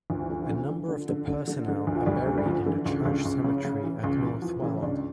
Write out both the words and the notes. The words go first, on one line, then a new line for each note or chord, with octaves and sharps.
A number of the personnel are buried in the church cemetery at North Weald.
D2 F3
E3
D3 F3
E3
D3 F3
D3
D3
D3
D3
D3
D3
D2
F3
D2 G3
D3 A3
G3
D3 F3
D3 E3
C#2
C#2
C#2
C#3
C#3
E3
C#2
E3
E3 F3
C#3 E3
C#2 D4